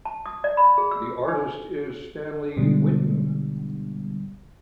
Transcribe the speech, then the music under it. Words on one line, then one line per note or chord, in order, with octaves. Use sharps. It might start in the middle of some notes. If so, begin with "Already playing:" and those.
The artist is Stanley Witten.
A5
D#6
D5
B5
G#4
E6
D#4
G#2 B2 D3 G3